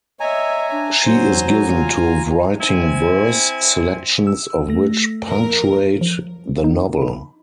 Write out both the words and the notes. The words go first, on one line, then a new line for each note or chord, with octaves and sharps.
She is given to writing verse, selections of which punctuate the novel.
C#5 D#5 E5 G#5 A#5
D4
F#3 C5
F4
C4 E4 G#5
E6
A3 A#6
F2 A#4
F3
D#4
B5